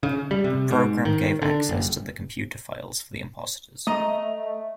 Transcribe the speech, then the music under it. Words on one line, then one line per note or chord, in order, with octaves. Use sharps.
The program gave access to the computer files for the impostors.
C#3
G3
C3
G#2
D#3
D3
F#1
A3 D#5 A#5 D#6